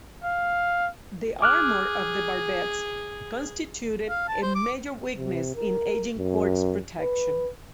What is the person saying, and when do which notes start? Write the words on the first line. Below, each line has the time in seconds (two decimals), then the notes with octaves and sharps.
The armour of the barbettes constituted a major weakness in "Agincourt"s protection.
0.24 F5
1.42 G#4 D6 F6 F#6
4.09 F5
4.28 A5
4.42 C5
4.55 D6
5.17 C3
5.56 A#4
6.18 F#2
7.01 B4